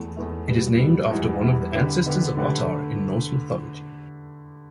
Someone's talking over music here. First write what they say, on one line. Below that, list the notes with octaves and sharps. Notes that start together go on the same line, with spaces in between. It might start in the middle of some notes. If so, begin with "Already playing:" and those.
It is named after one of the ancestors of Ottar in Norse mythology.
Already playing: E2 E3 A3
E2 E3 A3
B2 G3 B3
B2 G3 B3
E2 E3 G3 E4
E2 E3 G3 E4
D3 B3 G4 B4
D3 B3 G4 B4
D3 A3 G4 B4